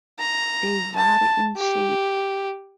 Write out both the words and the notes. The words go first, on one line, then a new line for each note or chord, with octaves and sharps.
They vary in shape.
A#5
A5
G4